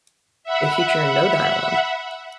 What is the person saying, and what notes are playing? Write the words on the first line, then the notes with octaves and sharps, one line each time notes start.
They feature no dialogue.
E5 F#5 B5